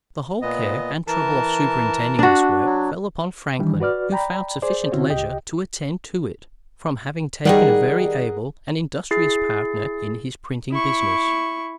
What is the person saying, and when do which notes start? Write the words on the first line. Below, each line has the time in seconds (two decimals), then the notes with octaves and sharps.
The whole care and trouble of superintending this work fell upon Franklin, who found sufficient leisure to attend to it, from having taken a very able and industrious partner in his printing business.
0.42 A#2 B3 D#5
1.07 E3 A#4 A5
2.19 D4 F#4
2.65 F#3
3.59 D#3 E3 G3 D4
3.80 F#4 B4 D5 F6
4.11 D5 G5 A#5 B5
4.62 G#4 C5 D5
4.92 D3 C4 C#4 E4 F#4 C#5
5.10 C#2 G4 D#5 G5
7.45 D#3 G3 G#4 A#4 F#5
9.11 E4 G#4 A6 C7
10.72 E4 C#6